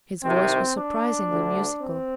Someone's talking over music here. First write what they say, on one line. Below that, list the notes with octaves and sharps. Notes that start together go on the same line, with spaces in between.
His voice was surprisingly musical.
C2 C3 D#3 C4
D4
D2 D3
C4